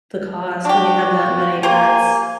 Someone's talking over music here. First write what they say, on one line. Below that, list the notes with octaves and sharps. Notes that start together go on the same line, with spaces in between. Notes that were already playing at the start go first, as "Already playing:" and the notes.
the cost when you have that many pets.
D4 F#4 G4
A#3 G4 C5 G#5 C6